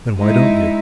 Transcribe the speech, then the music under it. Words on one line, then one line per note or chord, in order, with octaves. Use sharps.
'Then why don't you?
G#3 D#4 E4